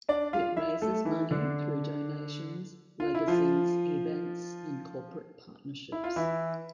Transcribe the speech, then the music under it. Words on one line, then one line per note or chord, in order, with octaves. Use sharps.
It raises money through donations, legacies, events and corporate partnerships.
D4 D5
F4 F5
E4 E5
A3 A4
E3 E4
D3 D4
F4
E4
F3 F4
E4
F4
E3 E4